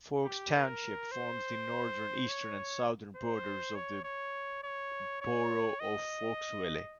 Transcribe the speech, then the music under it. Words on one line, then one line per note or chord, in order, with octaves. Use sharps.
Forks Township forms the northern, eastern and southern borders of the borough of Forksville.
G4
A#4
C5
C#5
C5
C#5
C#5
C#5
C#5
D#5